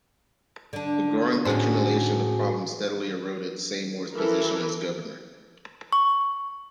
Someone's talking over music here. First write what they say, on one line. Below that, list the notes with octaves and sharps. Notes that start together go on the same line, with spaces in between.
The growing accumulation of problems steadily eroded Seymour's position as governor.
D3 D4
A2 C#4 F#4 G#4 C5
E3 A4 A#4
C#6